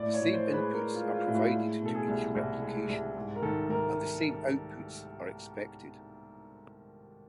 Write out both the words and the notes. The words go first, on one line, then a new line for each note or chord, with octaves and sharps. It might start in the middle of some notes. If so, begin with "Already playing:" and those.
The same inputs are provided to each replication, and the same outputs are expected.
Already playing: A2 D5
C#5
A2
C5
G#3
B4
G#3 A#4
F4
G#3
F4
A2
F#4
G#3
B2 A4
G#4
C2
C2
G#3
C2
G#2
A#4
D#3 A4
D#3 A#4